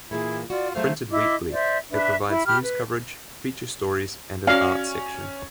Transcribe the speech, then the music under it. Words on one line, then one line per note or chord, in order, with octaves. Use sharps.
Printed weekly, it provides news coverage, feature stories, and an art section.
A#2 E3 A#3 E4 G#4
F4 F#4 D5
F#3 A3 G#4 C5 F5
E4 D#5 D6
C5 D5 E5
D4 B4 E5
E4 B5
G4 B5 F6
B4
C#4 F#4 D5 F5